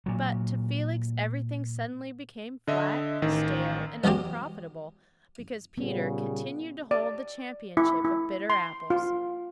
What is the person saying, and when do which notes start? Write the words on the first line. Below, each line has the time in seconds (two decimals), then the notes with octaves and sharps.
But to Felix everything suddenly became flat, stale, and unprofitable, because Peter continued to hold the championship of bitter apples.
0.06 A#2 F#3
2.68 D3 D#5 E5
3.22 A1 D#3
4.04 B1 E2 F#3 C#4 G4
5.78 A#2 C#3 G3 B3
6.91 D5
7.77 E4
8.05 E4
8.50 C6
8.90 F4